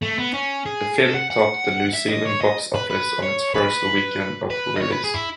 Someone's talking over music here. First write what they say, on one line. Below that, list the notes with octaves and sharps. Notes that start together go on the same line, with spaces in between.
The film topped the New Zealand Box Office on its first weekend of release.
A3
B3
C#4
G#4
A4
F#5
F#5
E5
D#5
C#5
D#5
B4
B4
C#5
B4
B4
D#5
C#5
B4
G#4
E4